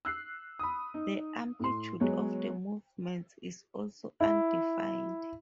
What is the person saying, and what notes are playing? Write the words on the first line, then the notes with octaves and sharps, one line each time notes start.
The amplitude of the movements is also undefined.
E6 F#6 C7
B5 D#6
D#4
A2 C6
F#3 G#3 B3 C#5
E4